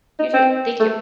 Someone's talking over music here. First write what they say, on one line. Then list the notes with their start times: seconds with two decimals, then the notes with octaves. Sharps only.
You too. Thank you
0.19 D#4
0.34 C4
0.80 A3